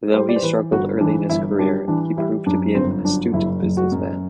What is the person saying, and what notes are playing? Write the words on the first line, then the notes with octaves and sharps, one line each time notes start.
Though he struggled early in his career, he proved to be an astute businessman.
G3 C5
D5
C5
E3 B4
G1 F#4
E3 D4
G1 E4
G3 D4
E3 D4
G3 E4
F#2 D4
G1 C4
F#3 D4
F#1 E4
F#1
F#4
F#2